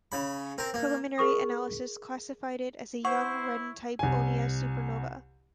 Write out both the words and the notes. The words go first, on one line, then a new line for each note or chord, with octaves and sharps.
Preliminary analysis classified it as "a young, reddened type onea supernova".
C#3 B5
C4 A#4
A#3
G#4 A#4 C#6 D#6
E4 C5 F#5 C#6
C2 G#5